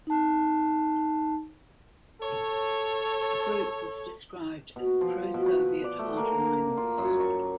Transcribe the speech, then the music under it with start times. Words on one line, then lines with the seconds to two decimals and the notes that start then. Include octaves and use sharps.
The group was described as pro-Soviet hardliners.
0.07 D#4 A5
2.22 A4 C#5
4.76 B2
5.01 F3
5.34 B2
5.46 B4
5.84 D5
5.99 A3
6.17 A#3
6.77 F4
6.98 F#2
7.20 C#6